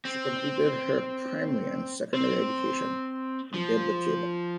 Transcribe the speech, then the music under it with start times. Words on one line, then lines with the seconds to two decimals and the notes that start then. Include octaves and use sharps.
She completed her primary and secondary education in Debre Tabor.
0.05 C4
2.15 C4
3.54 F3